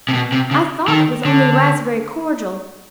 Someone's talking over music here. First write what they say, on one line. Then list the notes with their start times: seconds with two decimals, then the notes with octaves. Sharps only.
I thought it was only raspberry cordial.
0.09 C3
0.14 B2
0.32 C3
0.51 C#3
0.88 D#3
1.25 D3